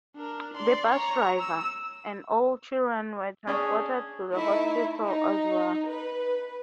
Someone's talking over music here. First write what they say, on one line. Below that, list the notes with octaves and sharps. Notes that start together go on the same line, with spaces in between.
The bus driver and all children were transported to the hospital as well.
D4 A#4
D5 C6
C#5 A#5
E6
C#4 D4 G#4 C#5
A3 D#4 E4 E5
D#4
B4